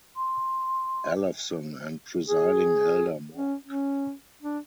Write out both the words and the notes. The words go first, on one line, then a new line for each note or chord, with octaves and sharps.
Ellefson and Presiding Elder Mork.
C6
G#4
C#4
C#4
D4